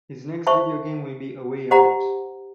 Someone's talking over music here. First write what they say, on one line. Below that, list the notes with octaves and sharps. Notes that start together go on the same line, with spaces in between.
His next video game will be "A Way Out".
C5 E5 A5 C#6
G4 C5 D#5 F#5 A#5